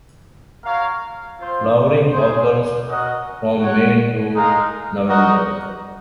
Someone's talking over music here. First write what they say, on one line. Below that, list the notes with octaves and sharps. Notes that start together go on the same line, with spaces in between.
Flowering occurs from May to November.
F#4 A#4 C#5 F5
C4 F4 C5
C#4 G#4 C5
C#4 F#4 A#4 D#5 F#5
F#4 C#5 F#5
G#3 D#4 A#4 F5
D#4 F#4 A#4 D#5 F#5